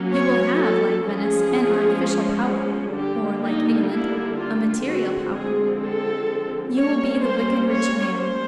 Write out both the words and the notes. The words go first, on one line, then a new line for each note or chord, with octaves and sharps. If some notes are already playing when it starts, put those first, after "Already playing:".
You will have, like Venice, an artificial power, or, like England, a material power; you will be the wicked rich man.
Already playing: F#3 A#3 C#4
C#5
A4
F3 G#3 C#4 G#4
D3 G3 A#3 D4 G4
D#4
E4
F4
D3 F3 G#3 C4 F#4
G#4
A4
G3 A#3 C#4 C#5
C5
C#5
C5